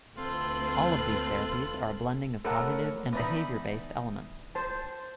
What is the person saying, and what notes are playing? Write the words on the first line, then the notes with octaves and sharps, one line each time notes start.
All of these therapies are a blending of cognitive- and behavior-based elements.
D2 C4 F4 A4 B4 F#6
A2 A4 A#4 F#5
E3 B3 D4 D#4 B5
C5 A5